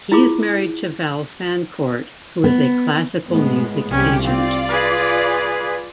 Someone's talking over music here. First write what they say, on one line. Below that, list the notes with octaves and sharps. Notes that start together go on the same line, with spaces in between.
He is married to Val Fancourt, who is a classical music agent.
E4 F4 G#4 D6
B3
A2 G#3 B3
C2 C#4 G4
C4 F4 D5
G#4 B4